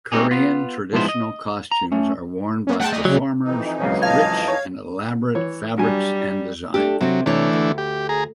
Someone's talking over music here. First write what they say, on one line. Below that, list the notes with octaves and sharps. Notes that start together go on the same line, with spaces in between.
Korean traditional costumes are worn by performers, with rich and elaborate fabrics and designs.
A3 C4 C#4 D#4 G4 G#4
B3 F4
G#2 F3 G#3 B3 E4 C5
D#5
A#5
A3 C#4
A#3 B3 C#4
A3 G#4 F#5 G5 A5
A3 D5 D#5
D2 C#3 F#3
F2 E3 D#4
C#2 F#2 C#4 F5
D#5 F5 A5 G#6
C#5
E3 C#5
G2 F#3 G3 G#5
A3 D4 G4
C3 F#3 C4
C3 E3 A3 D4 C#5
D2
G4
G#4 A#5